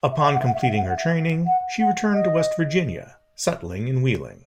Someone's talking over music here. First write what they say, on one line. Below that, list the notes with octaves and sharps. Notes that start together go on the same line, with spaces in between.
Upon completing her training, she returned to West Virginia, settling in Wheeling.
E5
F#5
E5
F#5
E5
F#5
E5
F#5
E5
F#5
E5
F#5
E5
F#5
F#5
D#5